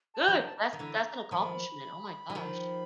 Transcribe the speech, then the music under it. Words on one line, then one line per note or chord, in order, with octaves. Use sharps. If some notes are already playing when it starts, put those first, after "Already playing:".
Good. That's that's an accomplishment. Oh my gosh.
A5
D#3 F3 B5
A#5
A5
A#5
D#3
D3 E3
D#3 F3 B5
E3
D#3 F3 B5